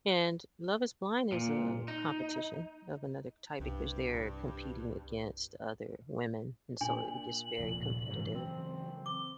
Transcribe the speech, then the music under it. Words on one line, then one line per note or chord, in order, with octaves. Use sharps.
and, Love is Blind is a competition of another type because they're competing against other women, and so it gets very competitive,
A#2
D#4
C2 G2
A#2 D4 G#5 F#7
D1 C3 F3
G#2 C#3 E3 F#3
C4
D6 G7